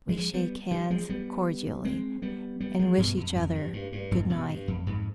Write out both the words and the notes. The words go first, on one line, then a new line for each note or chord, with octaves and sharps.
We shake hands cordially, and wish each other good-night.
F3 G#3
G3 B3
D#3 G3
F3 G#3
G3 B3
G#3 C4
G3 B3
G3 B3
F3 G#3
G2 B2
F2
F2
G2
G2
G2
F2 G#2
G2 B2
G2
F2
F2 G#2